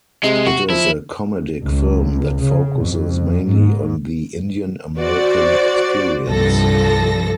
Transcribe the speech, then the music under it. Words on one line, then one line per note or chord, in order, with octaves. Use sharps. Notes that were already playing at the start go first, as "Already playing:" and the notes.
It is a comedic film that focuses mainly on the Indian American experience.
C3 G#3 C7
F#4
F3 E4
C#2
C#3
F2
G#2
F#4 C5 D5
C2 G2 F3 A4 A#6